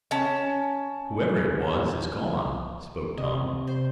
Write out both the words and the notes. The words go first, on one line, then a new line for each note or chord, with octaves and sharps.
"Whoever it was, is gone," spoke Tom.
C#4 A5
C3 D#5
C5